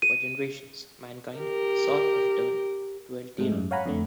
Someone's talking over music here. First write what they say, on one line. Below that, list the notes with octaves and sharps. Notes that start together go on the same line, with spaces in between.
For generations, mankind sought a return to Alterra.
D#7
G4 A#4
G#2 G#3 A3
F#2
C#5 F5 F#5 G#5 A#5 B5
F2 D3 A3